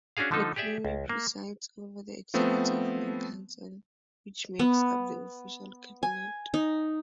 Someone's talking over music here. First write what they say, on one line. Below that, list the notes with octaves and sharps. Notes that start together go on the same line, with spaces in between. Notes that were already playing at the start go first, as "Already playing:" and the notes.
The premier presides over the Executive Yuan Council, which makes up the official cabinet.
C#4 D4 F#4 G#4 F5
D3 F3 A3 D#4 A4
G4 G#4 D5 E5
C#2
A#3
F3 A3 B3 C4
B3
G#5
D#4